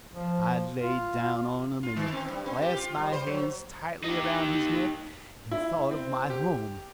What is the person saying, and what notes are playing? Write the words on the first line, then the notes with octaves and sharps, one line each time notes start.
I lay down on him and clasped my hands tightly around his neck, and thought of my home.
F3
F4
F4
D#3
C4
G2
C4
G4
F4
G3
C5
F#3
D#4 G4
E4
C4
G4